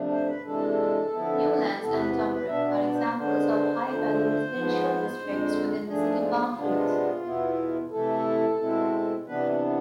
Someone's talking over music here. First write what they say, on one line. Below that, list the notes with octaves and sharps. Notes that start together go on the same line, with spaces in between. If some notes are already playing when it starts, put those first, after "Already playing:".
Newlands and Dumbreck are examples of high-value residential districts within the city boundaries.
Already playing: C3 F3 A3 D4
C5
B4
C3 E3 G#3 D4 A4
D3 F3 B3 E4
E2 C3 E3 B3 A4
B4
B4
B4
B2 B3 D4 E5
D5
D5
C5
D3 G#3 B3 D4 C5
D2 D3 F3 A3
G#2 F3 B3
F2 D3 G#3
G#2 F3 A3 D4 G#4
F4
C3 G#3 B3 D4
E2 B2 B3 E4
C3 E3 A3 E4 A4
B2 G#3 C4 E4
C3 E3 B3 D4 B4